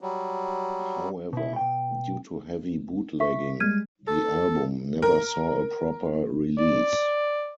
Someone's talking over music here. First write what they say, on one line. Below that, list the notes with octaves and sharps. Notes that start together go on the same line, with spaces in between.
However, due to heavy bootlegging, the album never saw a proper release.
F#3 G3
B2 E4
B2 G5
E5 C#6 B6
G3 G#3 F6 G#6 D#7
A4
A#4
D5